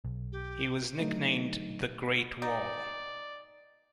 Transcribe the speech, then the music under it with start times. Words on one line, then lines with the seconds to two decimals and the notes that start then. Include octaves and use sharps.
He was nicknamed "The Great Wall".
0.05 B1
0.32 G4
0.99 D3 F#3 A3 D#4
2.42 D#4 D5